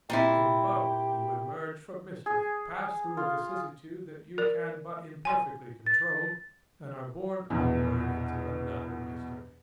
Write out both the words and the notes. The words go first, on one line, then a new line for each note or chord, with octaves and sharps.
In both you emerge from mystery, pass through a vicissitude that you can but imperfectly control, and are borne onward to another mystery.
A#2 C4 E4 G4
G#4
F4
A#4 D5
G#5 C6
A6
A#1 E2 B2